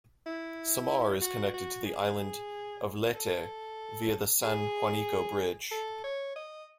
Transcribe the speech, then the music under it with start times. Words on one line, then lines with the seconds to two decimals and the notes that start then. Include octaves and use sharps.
Samar is connected to the island of Leyte via the San Juanico Bridge.
0.26 E4
1.21 F#4
1.54 F#4
1.86 G#4
3.15 A4
4.43 G#4
5.71 A4
6.04 C#5
6.36 D#5